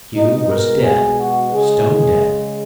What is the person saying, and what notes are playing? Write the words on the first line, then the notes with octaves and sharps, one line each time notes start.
Pew was dead, stone dead.
B2 G#3 D#4
A#4
G#4
F#4
C#3 G#3 G#4